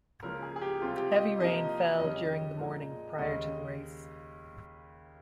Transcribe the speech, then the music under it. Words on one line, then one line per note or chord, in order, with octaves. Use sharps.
Heavy rain fell during the morning prior to the race.
C#2 C#3 F3 A#3 C#4 A#4
G#4
G#4
G4
C#2 C3 G3 C4 F4
G4
D#5
C3 F3 A#3 D#4 D#5
F2 C#3 G3 C#4 D#5
A#2 G#3 D#4
D#2 C#3 G#3 D#5